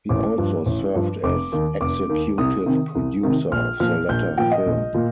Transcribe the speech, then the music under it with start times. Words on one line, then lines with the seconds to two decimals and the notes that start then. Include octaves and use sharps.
He also served as executive producer of the latter film.
0.09 A1 D6
0.38 G2 F3
0.66 A1
0.95 G2 F3
1.23 F1 D6
1.52 D#2 D#3
1.81 F1 D6
2.09 D#2 D#3
2.38 C2 D#6
2.66 C3 D#3
2.95 C2
3.23 C3 D#3
3.52 A#1 F6
3.80 A#2 F3 F6
4.09 A#1 G6
4.38 A#2 F3 G5
4.52 D#5
4.66 A#1
4.95 A#2